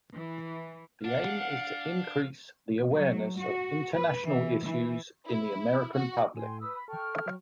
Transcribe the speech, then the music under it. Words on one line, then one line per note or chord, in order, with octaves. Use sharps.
The aim is to increase the awareness of international issues in the American public.
E3
D4 F5 F#5
F#3
F#4
B4
E3
E3
E4
F#4
A2 G5 G#5 C6
B4 D#6 E6
B5
A4 G5 C#6 F6
F#3